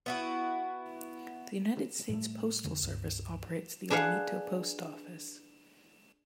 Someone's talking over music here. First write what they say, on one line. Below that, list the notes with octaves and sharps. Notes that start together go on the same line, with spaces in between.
The United States Postal Service operates the Olmito Post Office.
B3 E4 F#4
A2 G3 A3
F2 D3
C#2 G2
D4 G#4 B4 F5 F#5